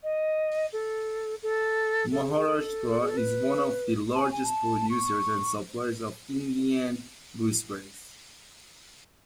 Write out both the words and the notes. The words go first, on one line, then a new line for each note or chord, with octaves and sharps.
Maharashtra is one of the largest producers and suppliers of Indian gooseberries.
D#5
A4
A4
A4
G#4
G#4
A4
G#4
A4
B4
A5
G#5
G#5
A5
C#6